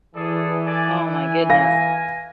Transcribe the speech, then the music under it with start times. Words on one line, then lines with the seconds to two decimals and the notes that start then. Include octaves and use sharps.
Oh my goodness.
0.16 E3 G#4 A4 D5
0.66 A4 D5 G#5
1.15 G#5
1.50 F5 A#6